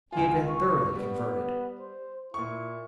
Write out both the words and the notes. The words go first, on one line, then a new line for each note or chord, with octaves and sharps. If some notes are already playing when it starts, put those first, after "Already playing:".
He had been thoroughly converted.
C#2 F4 G#5
C#6
G3 B3
C5
A#2 E4 C#6